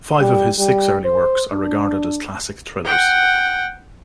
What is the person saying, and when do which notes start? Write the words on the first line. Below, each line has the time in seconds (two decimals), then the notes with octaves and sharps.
Five of his six early works are regarded as classic thrillers.
0.20 G3
0.59 G3
1.05 C5
1.52 D4
2.85 F#5 G5